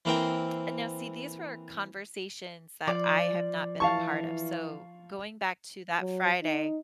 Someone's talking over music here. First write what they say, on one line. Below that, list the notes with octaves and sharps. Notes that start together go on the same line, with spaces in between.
And now see these were conversations that I have not been a part of. So, going back to that Friday,
E3 A#3 C4 A#4 G5
F3 D5
E3 F5 A5 C#6
F#3
D#4